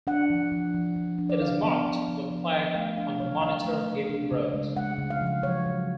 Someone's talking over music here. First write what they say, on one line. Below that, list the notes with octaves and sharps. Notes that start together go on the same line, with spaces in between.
It is marked with a plaque on Monitor Hill Road.
D4 F#5
F3
F3
F3
F3
D4
D5
D4 F5
B3
B3
F3
F3
B3
A3 F5
D4 F5
F#3 C#5
D4 F5
A3
A3
D4
C#3
G#3
G#3 F#5
C#3
F5
F3
F#3 C#5
F#3